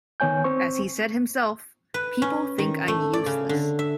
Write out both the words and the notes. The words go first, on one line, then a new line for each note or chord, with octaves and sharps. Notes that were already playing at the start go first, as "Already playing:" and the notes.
As he said himself: People think I'm useless.
D#3 B3 C#5 G#5 G6
C4 C5 C#6
B4
C#4
D#3
A3
D5
C#3
D3
E5